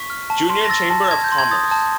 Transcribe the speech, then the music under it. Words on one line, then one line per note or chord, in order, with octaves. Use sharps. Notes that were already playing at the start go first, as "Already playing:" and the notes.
Junior Chamber of Commerce.
Already playing: C#6 B6
F6
A5
C6
A#6
E6 A6
A6
A5
A5 G#6
G6
C6
G#6
D#6 A6
A5